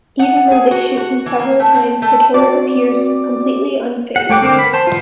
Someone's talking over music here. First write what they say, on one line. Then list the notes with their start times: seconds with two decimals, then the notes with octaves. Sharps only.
Even though they shoot him several times, the killer appears completely unfazed.
0.19 F#5
0.51 G#4
0.71 F#4
0.97 F#4
1.26 E3
1.39 A#3
1.60 A3
1.75 C4
2.02 A3
2.34 C4 F#4 D5 D6
4.16 F#5
4.29 A3 C#5 G5 D6 F#6
4.41 D3 C4 A#4 C5 D6
4.59 B3 B5
4.73 C5 A5 C6
4.87 B3 F4